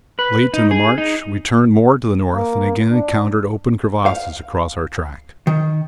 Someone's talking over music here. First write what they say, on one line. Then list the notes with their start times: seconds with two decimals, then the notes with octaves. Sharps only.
Late in the march we turned more to the north and again encountered open crevasses across our track.
0.19 B4
0.53 D#4
0.71 G#4
0.98 D#4
2.34 A#3
2.91 D4
4.06 F5
5.47 D#3